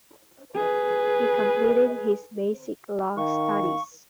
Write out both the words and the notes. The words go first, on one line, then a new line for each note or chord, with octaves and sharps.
He completed his basic law studies.
G#4 B4
D#3 F5 C#6